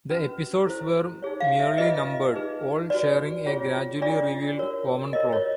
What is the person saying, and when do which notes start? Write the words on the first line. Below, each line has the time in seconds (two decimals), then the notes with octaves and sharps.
The episodes were merely numbered, all sharing a gradually-revealed common plot.
0.10 C#4 F#4 B4
0.66 E4 A4 C5
1.22 D#4 G#4 C#5
1.40 F5
1.59 E5
1.77 F4 G#4 B4 D#5
2.34 D#4 G#4 B4
2.90 F#4 B4 D5
3.46 C#4 F4 G#4 C#5
4.01 D4 F4 G#4 D5
4.57 F#4 A#4 C#5
5.13 F4 A#4 C#5 D#5
5.33 C#5